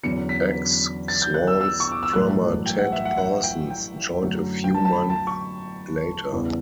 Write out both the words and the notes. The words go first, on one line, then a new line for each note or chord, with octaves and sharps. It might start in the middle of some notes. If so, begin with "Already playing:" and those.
Ex-Swans drummer Ted Parsons joined a few months later.
E2 D3 F#3 C#4 C#7
B6
A6
G6
F#6
E6
E6
C#6
D6
E6
A1 G2 F#3 A3 F#6
G5
F#5
E5
F#5
F#5
G5
G5
F#2 D3 F#3 A3
G5
A5
A5
B5
A5
C#6
E2 C#3 E3 G3